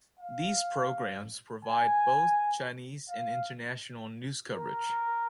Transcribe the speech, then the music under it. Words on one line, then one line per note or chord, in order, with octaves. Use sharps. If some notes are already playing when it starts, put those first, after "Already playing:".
These programmes provide both Chinese and international news coverage.
F5
G#5
F5
A#4